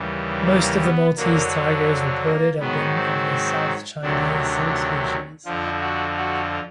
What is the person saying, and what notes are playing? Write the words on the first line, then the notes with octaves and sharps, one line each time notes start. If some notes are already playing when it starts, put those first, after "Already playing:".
Most of the Maltese tigers reported have been of the South Chinese subspecies.
Already playing: D#2 C#3 E3 G3
A#3
B3
F2 D3 F#3 A#3
A#3
G#2 D#3 F#3 B3
C4
D2 C3 D#3 F#3 D4
D4
F2 D3 F3 F4
F#4
F#4